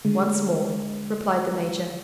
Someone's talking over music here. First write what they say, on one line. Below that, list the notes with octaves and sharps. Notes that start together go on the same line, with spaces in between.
"Once more," replied the major.
D3 G#3